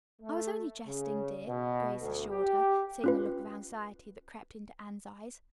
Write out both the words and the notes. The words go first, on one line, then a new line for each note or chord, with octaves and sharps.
"I was only jesting, dear," Grace assured her, seeing the look of anxiety that crept into Anne's eyes.
A3
C#3
B2
D2
G4
C#4 F4 B4